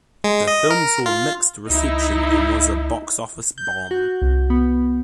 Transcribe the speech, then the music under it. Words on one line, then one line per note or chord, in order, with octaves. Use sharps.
The film saw mixed reception and was a box office bomb.
G#3
D#5
A#4
F4
C#2 D#4 E4
G6
F#4
C2
B3